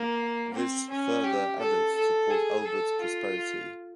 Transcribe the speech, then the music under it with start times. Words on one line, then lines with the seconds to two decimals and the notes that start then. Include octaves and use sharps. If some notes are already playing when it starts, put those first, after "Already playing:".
This further added to Port Albert's prosperity.
Already playing: A#3
0.54 C4
0.90 C#4
1.24 G4
1.59 A4
1.95 A4
2.30 G#4
2.65 A4
3.01 F4